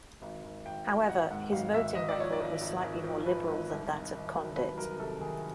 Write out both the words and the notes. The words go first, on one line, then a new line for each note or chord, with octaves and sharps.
However, his voting record was slightly more liberal than that of Condit.
G#1
G#1
G#1 G5
G#1
G#1 F#5
G#2 F#5
G#1 F5
G#1 E5
G#1 D#5
D5
F3 C#5
D5
G#1
G#1
G#1
F3
F3 B4
G#1
C2
D#3
D#3
F#3
C2 B4
F#3 A#4
C3 A4
D#3 G#4